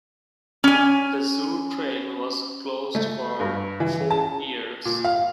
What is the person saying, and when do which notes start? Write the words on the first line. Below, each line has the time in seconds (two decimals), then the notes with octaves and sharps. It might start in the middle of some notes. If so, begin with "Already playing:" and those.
The zoo train was closed for four years.
0.64 C#4 G#5
2.95 A3
3.40 G2
3.80 E3
4.11 A5
4.85 A#2
5.05 F5